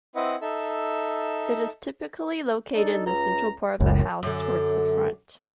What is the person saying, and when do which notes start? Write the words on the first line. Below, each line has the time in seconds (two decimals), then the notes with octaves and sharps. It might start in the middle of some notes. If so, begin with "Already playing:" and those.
It is typically located in the central part of the house towards the front.
0.15 C4 E4 B4 D#5 F#5
0.42 D#4 A4 E5 E6
2.75 D4 D#4 A4
3.07 C#2 A#5
3.80 F#1 C#2 F#2 A2 E3
4.23 F#2 D3